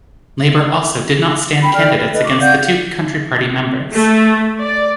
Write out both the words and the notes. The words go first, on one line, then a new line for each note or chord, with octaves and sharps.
Labour also did not stand candidates against the two Country Party members.
G5 B5
A4 D5 G5 F6
B4
A4 B4 D#5
C#6 D6
D5 F5 F#5 G6
A3
D5